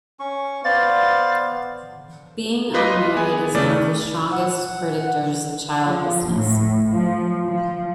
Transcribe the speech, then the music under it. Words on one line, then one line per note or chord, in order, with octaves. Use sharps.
Being unmarried is one of the strongest predictors of childlessness.
C#4 C#6
B3 C5 D5 F5 A6
F4 B4 D#5 C6 D6
B3 G#4 G#5
C#3 A3 D5
F#5
F3
A2
F3
F3